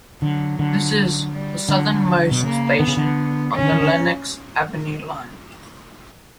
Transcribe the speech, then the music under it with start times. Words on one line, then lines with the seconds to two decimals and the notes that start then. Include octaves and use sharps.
This is the southernmost station on the Lenox Avenue Line.
0.22 D3 F#3
0.59 D3
1.33 G3
1.69 D3 F#3
2.31 B2
2.43 C#3 A#3
2.79 D3 B3
2.88 C#3
2.97 D3
3.54 C#3 C#4
3.62 D3
3.72 E3
3.81 D3